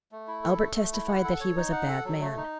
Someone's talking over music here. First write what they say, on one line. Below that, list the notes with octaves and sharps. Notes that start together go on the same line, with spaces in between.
Albert testified that he was a bad man.
A3
E4
A4
A3
A3
E4
F#5
A4
C#5
D#4
F#5
A4
F#3
A3
D#4